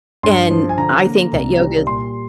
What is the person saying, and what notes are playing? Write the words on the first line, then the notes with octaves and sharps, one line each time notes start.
and I think that yoga
G2 C6
F3
G#5
D3 A#5
A#3
C2
G3
A#2 C6